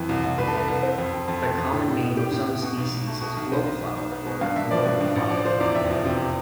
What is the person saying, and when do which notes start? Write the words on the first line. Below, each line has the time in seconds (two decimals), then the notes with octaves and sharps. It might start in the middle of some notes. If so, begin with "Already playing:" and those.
The common name of some species is globeflower or globe flower.
Already playing: F2 E3
0.09 C2
0.24 C2
0.38 C2 B4
0.48 A4
0.53 C2 B4
0.68 C2
0.83 C4
0.98 F2
1.13 F2
1.28 F2 A4
1.43 A3
1.58 F2
1.73 A2
1.88 A2
2.03 B3
2.17 A2 G4
2.32 A2
2.47 B3
2.62 B2
2.77 B1
2.92 B1
3.07 A3
3.21 B2
3.37 B1
3.52 B1 C5
3.67 B1
3.81 B1
3.96 B1
4.12 B3
4.26 B2
4.41 G2 F5
4.56 G2 E5
4.71 F3 D5
4.86 G2
5.01 G2
5.16 A1
5.30 F3 D5
5.45 F3 C5
5.60 E2 D5
5.75 F1 E5
5.90 F3
6.05 C3